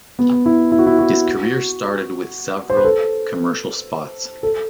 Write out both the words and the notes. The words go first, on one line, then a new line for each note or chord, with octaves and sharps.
His career started with several commercial spots.
B3
E4
E4
F#4
E4
F#4
C5
B4
A4
A4